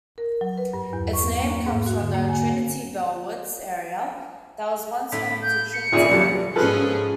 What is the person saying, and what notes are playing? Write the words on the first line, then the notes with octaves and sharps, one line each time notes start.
Its name comes from the Trinity-Bellwoods area that was once home to Trinity College.
A#4
F#3
B4
G2
E2
C#6
A#3
G#2
F#4
D3
A#3
G#5
A2 B6
G6
C#7
G#1 A#2 C#3 E4 F4 G#4
D2 F#3 G3
G#2 F3 C#4 G#4 A4 B4